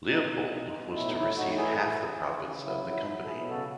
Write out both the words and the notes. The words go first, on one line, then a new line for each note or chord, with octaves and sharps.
Leopold was to receive half the profits of the company.
B2 D#4
B2
B2
B2
A2 E4
D#4
A2 E4
A2 D#4 F#4
E3 E4 G#4
A4
E3 E4 G#4
C#3
E3
C#3
F#3 E4
F#3 E4
D#4
F#3 E4
A4
B2 E4 G#4
C#3 F#4 A4